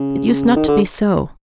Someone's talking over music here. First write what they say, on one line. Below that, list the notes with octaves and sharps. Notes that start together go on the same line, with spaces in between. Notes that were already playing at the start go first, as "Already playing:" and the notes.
It used not to be so.
Already playing: C#3
D#3
D3